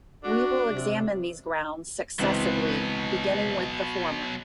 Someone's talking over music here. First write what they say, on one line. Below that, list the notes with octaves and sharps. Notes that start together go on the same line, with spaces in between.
We will examine these grounds successively, beginning with the former.
D4 F#4
C3
C#2 B2 E3 F#3 C4